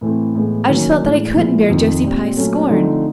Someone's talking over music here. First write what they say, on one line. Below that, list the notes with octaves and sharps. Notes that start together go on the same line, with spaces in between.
I just felt that I couldn't bear Josie Pye's scorn.
A2 E3 A3 C4
A2 E3 G#3 B3
D#3 F#3 A#3 C#4
A2 E3 G#3
A#2 F3 G#3 B3 E4
F2 C3 D#3
A#2 G3 C4
A#2 F#3 A3 C#4
D3 F3 A3 C4 D#4